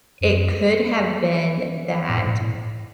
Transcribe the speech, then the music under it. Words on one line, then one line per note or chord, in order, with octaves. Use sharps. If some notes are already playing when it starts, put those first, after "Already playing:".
it could have been that
F#2
A2
G#2
A2
A2